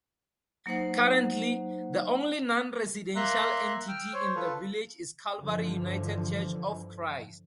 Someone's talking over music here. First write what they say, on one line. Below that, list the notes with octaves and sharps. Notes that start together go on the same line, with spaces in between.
Currently, the only non-residential entity in the village is Calvary United Church of Christ.
F#3 A#3 D#4 C5 F#5
A#3 E5 A#5 C6 F#6
G5 E6 F6
C5 C#5
F4 A4 B4
G2 D3 E3 F3